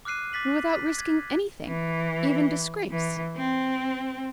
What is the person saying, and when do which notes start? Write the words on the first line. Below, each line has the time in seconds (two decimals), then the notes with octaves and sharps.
And without risking anything--even disgrace!
0.05 D6 F6 F#6 C7 D#7
0.33 D6 A6 B6 F#7
0.70 A6 B6
0.98 G#6
1.67 E3
2.91 E3
3.36 C4